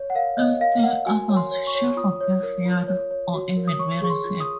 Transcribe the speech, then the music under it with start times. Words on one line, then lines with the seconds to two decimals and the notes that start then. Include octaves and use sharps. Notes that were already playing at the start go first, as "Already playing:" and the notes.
In still others she forgives Fionn, or even marries him.
Already playing: C#5
0.10 F#5
0.15 A#4 F5
0.37 C#5 D#5
0.60 A#4 F5
0.83 A#4 F#5
1.06 F#4 G#5
1.29 C#5
1.37 C6
1.51 C#5
1.67 C#6
1.75 C#5
1.97 F4 D#6
2.21 C#5
2.43 A#4
2.65 F4
2.88 C#5
3.11 C#5
3.34 F#4
3.57 A#4
3.68 D#6
3.79 C#5 C#6
4.02 G#4 C#6
4.10 C6
4.25 F4
4.40 D#6